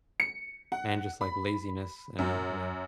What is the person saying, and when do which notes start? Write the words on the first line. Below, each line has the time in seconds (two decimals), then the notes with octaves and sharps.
and just like laziness in it, yeah.
0.20 C#7
0.72 F#5
1.21 B5
2.19 F#2